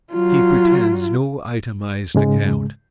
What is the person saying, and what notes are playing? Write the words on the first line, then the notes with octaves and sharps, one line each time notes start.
He pretends no itemised account.
F#3 F4
G#2 C#3 G#3